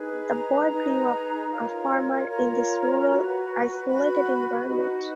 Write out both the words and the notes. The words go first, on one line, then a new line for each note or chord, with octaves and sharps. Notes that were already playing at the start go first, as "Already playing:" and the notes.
The boy grew up a farmer in this rural, isolated environment.
Already playing: D#4 G#4 B4
A#5
D#4 G#4 B4
F4 A#4 C#5
F4 A#4 C#5 A#5
F#4 B4
F#4 B4 B5
D#4 F#4 B4 B5